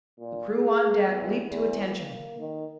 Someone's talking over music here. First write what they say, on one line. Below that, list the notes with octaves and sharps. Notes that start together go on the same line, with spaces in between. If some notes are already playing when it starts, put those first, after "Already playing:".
The crew on deck leaped to attention.
A#2
G#4
E2
E2
A#3
D#3